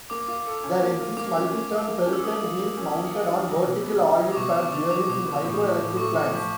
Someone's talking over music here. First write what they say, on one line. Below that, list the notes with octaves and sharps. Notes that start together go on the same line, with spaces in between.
There exist multi-ton Pelton wheels mounted on vertical oil pad bearings in hydroelectric plants.
A#3 D6
F4
A4
C#4
A#3
F4
A#3 D6
C#4
A#3
F4
A#3
C#4
E6
A#3 D#6
F4
A#3
C#4
A#3
F4
D4
F#3
B2
B3
D4
F#3
D6
B2 C#6
B3
D4 D6
F#3 D6
B2
B3
A2
F3
A2
A3 C#6
A2
F3